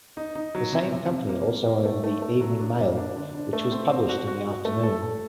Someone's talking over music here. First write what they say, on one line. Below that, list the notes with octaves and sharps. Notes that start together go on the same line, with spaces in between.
The same company also owned the "Evening Mail", which was published in the afternoon.
D#4
D#4
F#3
C3
C3
C3
A#3
A#3
A#3
A3
A3
A3
F#3
D4
A#3
D4
D3
D4
A3
C4
C4
F#4
F#4
F#4
A3
A4
A4